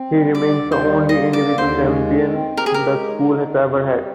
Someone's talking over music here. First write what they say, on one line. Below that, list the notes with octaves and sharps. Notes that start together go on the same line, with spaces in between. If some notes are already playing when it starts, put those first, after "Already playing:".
He remains the only individual champion the school has ever had.
Already playing: C4
G3
D3 D5
D#2
C5
G3
A#3 D#5
D3 D5
D#2 C5
G#3
D#3
C4
G4 A#4
G#4
A#4
G#3
D#3
D3
F2
G3